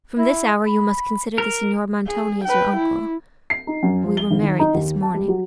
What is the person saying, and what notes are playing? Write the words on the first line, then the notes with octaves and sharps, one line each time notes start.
From this hour you must consider the Signor Montoni as your uncle--we were married this morning.'
E4
B5
A#4
G#4
B4 G5
E4
C7
D#4
F#2
F3
G7
G#1
D#3
D#4
D#2
A5
G3
F#3